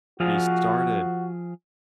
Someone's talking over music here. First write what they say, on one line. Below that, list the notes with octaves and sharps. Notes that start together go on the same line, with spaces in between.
she started
F3 F4 F#4 G#4